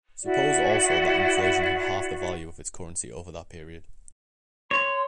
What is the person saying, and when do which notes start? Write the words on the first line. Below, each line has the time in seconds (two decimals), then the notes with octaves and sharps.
Suppose also that inflation had halved the value of its currency over that period.
0.24 E4 F#4 D5
4.71 C#5 C6